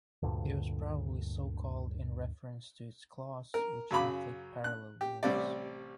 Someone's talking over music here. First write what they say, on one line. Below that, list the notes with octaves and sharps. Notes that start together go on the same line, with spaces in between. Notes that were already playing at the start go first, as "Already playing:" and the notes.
It was probably so called in reference to its "claws", which inflict parallel wounds.
D2 G2 A#2 D3
A#4
F#2 C#3 F#3 F5 B5 D6
F#6
G4
A1 C3 G3 C5 D5